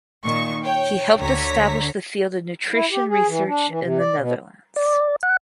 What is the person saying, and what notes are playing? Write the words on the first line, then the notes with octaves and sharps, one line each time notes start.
He helped establish the field of nutrition research in the Netherlands.
A#2 D#3 C#6
C#5 G5
D2 D3 C#5 A#5 B6
E4
G4
G#4
E3
D4
E3
C3
D5
B2
D5
F#5